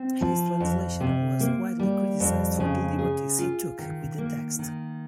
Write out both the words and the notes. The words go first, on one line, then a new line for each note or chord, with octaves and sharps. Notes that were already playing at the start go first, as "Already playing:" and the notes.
His translation was widely criticized for the liberties he took with the text.
Already playing: C4
F3
F2
C3
A#3
G3
F2
C#3
G#4
F4
D#3
A#3
D#3